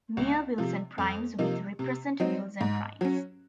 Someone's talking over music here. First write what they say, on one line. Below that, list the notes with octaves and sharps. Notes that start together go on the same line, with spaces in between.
Near-Wilson primes with represent Wilson primes.
C#2
C3 F3
F2
C3 F3 A#3 D#4
C3
F#3 C4 D#4
G#2
F#3 C#4